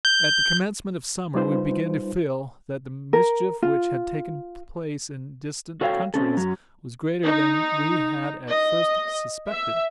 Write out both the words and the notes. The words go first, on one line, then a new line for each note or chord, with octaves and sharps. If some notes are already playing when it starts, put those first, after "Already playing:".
At the commencement of summer, we began to feel, that the mischief which had taken place in distant countries was greater than we had at first suspected.
G6
G3 D#4 F4 B4 C5
A#4
F4
F#4 A4 C#5 F5 G5
C4 C#4 A4
F#2 F#3
D#4
D#5
E5